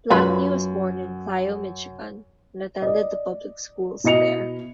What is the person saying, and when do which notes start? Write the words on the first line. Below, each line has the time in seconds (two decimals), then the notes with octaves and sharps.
Blackney was born in Clio, Michigan, and attended the public schools there.
0.10 F#2 F4 B4 B5
2.82 D5 D#5
4.04 B2 E4 D#5 C#7 F7